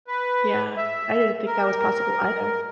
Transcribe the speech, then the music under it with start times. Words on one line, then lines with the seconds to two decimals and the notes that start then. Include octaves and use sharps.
Yeah, I didn't think that was possible either.
0.08 B4
0.77 E5
1.47 A#4